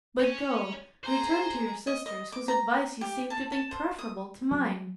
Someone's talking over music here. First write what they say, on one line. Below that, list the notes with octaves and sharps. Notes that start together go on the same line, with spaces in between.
But go; return to your sisters, whose advice you seem to think preferable to mine.
C#5 G#5
G#4 C5 A#5
D#5
D#5
D6
A#5
G4
A5
A5
C5
D#6
F#3